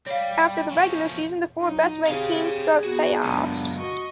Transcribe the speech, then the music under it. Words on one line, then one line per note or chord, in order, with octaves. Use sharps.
After the regular season, the four best-ranked teams starts play-offs.
G3 C#5 F5
F3 C#4
F#3 D#4
C4 G4 G#4 C#5 F5
B3 F#4 A#4
C#2 F#2 D4
F#4 D#5 C#6